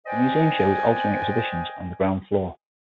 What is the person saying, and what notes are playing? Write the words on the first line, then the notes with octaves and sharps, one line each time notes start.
The museum shows altering exhibitions in the ground floor.
B4 C5 D5 D#5 G5 G#5